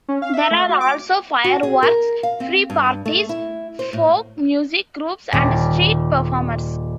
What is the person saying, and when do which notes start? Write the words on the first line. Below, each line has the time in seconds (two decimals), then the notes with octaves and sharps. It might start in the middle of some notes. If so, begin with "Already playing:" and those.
There are also fireworks, free parties, folk music groups and street performers.
0.08 C#4
0.22 F5
0.34 E5
0.51 A3
0.69 F#4
0.81 D6
1.44 F#4
1.63 G#4
1.83 A#4
2.23 F5
2.40 C4
2.70 G2
3.06 A3
3.29 E4
3.79 C5
3.93 A2
5.33 D#1 G3